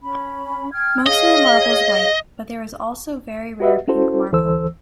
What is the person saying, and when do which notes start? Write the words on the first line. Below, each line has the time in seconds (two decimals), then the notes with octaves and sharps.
Most of the marble is white, but there is also very rare pink marble.
0.01 C#4 B5
0.72 G5 F6 G#6
1.06 G#4 C#5 D#5 F5
3.60 F#4 G4 B4 D#5 E5 F#5
3.88 C#4 E4 F#4 A4 C5
4.32 D2 E3 A4 C5 E6